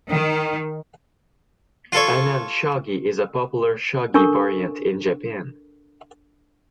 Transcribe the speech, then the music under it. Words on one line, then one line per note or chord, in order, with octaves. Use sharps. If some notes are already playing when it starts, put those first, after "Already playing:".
Annan shogi is a popular shogi variant in Japan.
D#3
F4 A4 C#5
D4 A4 A#4 C#6